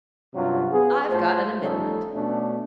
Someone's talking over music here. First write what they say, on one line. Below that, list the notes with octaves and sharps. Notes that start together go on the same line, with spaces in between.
I've got an amendment.
G2 C3 F#3 C#4 F4
B3 G#4
A2 A3 F4 C5
F3 G3 A3 C#4 D#4 A4
B2 A3 C#4 D4